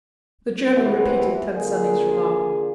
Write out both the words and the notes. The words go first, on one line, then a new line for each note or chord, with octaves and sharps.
The German repeated Tant Sannie's remark.
D#2 C3 E3 B3 C4
D3 A#3 F4 G#4